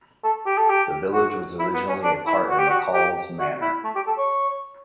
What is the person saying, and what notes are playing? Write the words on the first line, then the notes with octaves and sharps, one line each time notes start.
The village was originally a part of McCall's Manor.
A4
G4
A4
G4
F#4
E4
B3
C#4
D4
E4
F#4
G4
F#4
G4
F#4
E4
A3
G4
A4
C#5